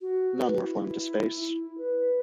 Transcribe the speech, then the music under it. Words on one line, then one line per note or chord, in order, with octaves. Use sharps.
None were flown to space.
F#4
B4
E4
E4
B4